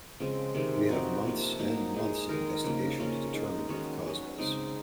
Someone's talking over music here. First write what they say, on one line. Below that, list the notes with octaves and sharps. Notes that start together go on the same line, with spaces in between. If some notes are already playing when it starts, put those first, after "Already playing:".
We have months and months of investigation to determine what the cause was.
C#3 F3 G#3 C4
C3 D#3 G#3 C4
F3 C4 D#4 F#4
C3 F3 A#3
F#3 A#3 D#4
G#3 D#4 G#4
D#3 G#3 D#4 A#4
C#3 F3 A#3
A#3 C#4 F4 A#4
G#3 D#4 G#4
D#3 G#3 C#4 F#4
F#3 C#4 F#4
C#3 G#3 C4 D#4